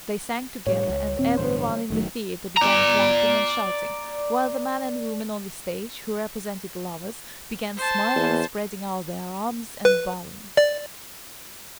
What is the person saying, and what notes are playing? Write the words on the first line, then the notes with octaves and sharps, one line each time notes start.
They sang together and everyone in the theater began clapping and shouting, while the man and woman on the stage--who represented lovers-- began smiling, spreading out their arms, and bowing.
A2 G3 C#5
C#2
D#1 C4
A1 G2 D3 C5
F#1 D#3 F#3 A3
D5 A#5
C5 A5
E2
B4
D5